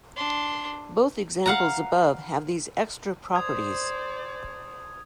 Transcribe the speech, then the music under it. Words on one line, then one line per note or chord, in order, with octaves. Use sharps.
Both examples above have these extra properties.
D4 C6
F5 F#5 A#5
C5 D5 D#6 G#6